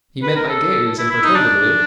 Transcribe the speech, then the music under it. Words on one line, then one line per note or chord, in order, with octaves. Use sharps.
He met my gaze imperturbably.
B4
A#4
A4
E4
E4
D#4
D4